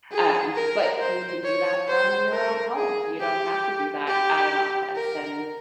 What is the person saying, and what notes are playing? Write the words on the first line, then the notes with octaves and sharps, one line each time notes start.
um, but you can do that from your own home. You don't have to do that at an office and
G#4
A#4
C5
C#5
C5
A#4
G#4
G4
G4
A#4